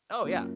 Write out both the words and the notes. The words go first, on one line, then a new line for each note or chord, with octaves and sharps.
Oh, yeah.
F#2 F3 A#3 C#4